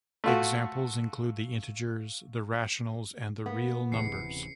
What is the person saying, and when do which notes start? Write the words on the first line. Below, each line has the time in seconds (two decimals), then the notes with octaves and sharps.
Examples include the integers, the rationals and the real numbers.
0.24 A3 F4 F#4
3.46 A#3 B3
3.92 D1 C3 E3 G#3 C7 C#7
4.25 C#3